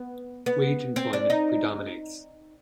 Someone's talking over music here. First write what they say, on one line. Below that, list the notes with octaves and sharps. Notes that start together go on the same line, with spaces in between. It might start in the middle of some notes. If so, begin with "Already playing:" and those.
Wage employment predominates.
Already playing: B3
B3
C4
D4
D#4